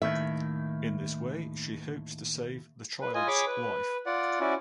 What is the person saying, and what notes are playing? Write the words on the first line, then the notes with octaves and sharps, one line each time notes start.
In this way she hopes to save the child's life.
D#2 A2 D#3 E5
B4
F4 D#5 G#5
G#4 C#5 B5 C#6 D6
B4
F4 D5 F#5
C#4 E4 F#4 D5